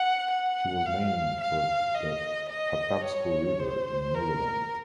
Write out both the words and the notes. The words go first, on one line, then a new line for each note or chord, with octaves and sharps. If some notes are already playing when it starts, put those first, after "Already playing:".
She was named for the Patapsco River in Maryland.
Already playing: F#5
F#5
F5
F5
D#5
D#5
C#5
C5
A#4